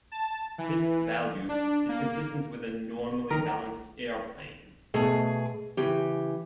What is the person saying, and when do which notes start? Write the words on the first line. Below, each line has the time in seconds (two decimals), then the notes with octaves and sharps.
This value is consistent with a normally balanced airplane.
0.12 A5
0.58 E3
1.49 D4
1.89 A#3
3.31 D#3 A#4 A#5
4.94 B2 A3 G#4 G#5
5.77 C#3 E3 G4